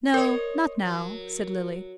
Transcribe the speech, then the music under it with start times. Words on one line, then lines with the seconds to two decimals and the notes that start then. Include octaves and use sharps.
"No, not now," said Lily.
0.14 A#4 C5 C#5 D#5
0.84 F#3